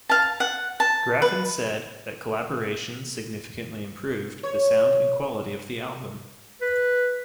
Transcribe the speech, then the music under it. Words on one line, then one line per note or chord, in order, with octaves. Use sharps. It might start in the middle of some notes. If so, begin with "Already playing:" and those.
Graffin said that collaboration significantly improved the sound and quality of the album.
F5 A5
F#5
A5
B4
C#5
B4